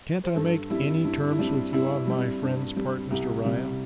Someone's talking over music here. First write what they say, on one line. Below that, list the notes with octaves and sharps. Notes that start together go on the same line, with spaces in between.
Can't I make ANY terms with you on my friend's part, Mr Riah?'
C5
G2 A4
G3 C4 E4
G2 E4
E4
G3 C4 D4
G2 E4
G3 C4
G2
G3 C4
C2 G4
C3 G3